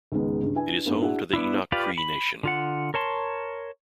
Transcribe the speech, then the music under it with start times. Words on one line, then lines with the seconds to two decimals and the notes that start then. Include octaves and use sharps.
It is home to the Enoch Cree Nation.
0.12 C#2 G#2 D#3 G#3 B3
0.42 G2 C#3
0.55 D4 E4 B4 G#5
0.86 G2 A#3 B3 D#4
1.01 D4 E4 F#4 G#4 F#5
1.33 B3 D4 E4
1.72 F4 G4 B4 D5 F5
1.98 B5
2.43 D3 F4 F#5
2.94 A#4 C#5 A5 C6